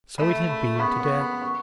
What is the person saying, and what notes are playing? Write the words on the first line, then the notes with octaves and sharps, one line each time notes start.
So it had been today.
A3 B5
B5
C#6
B3 B5
C#6
B5
C#6